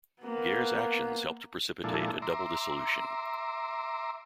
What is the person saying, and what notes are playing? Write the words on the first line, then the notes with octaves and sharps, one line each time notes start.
Gair's actions helped to precipitate a double dissolution.
A#3 B3
A#2 F3 G#3 D4 E4 A4
E5 A#5 C6 D6